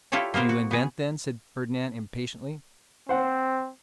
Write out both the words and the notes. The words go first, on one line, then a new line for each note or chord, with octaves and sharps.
"Do you invent, then," said Fernand impatiently.
E4 F4 G4 A4 C#5 D5
A#3 B3 A#4 C5
F#4
B3 G#4
C4 C5 F#5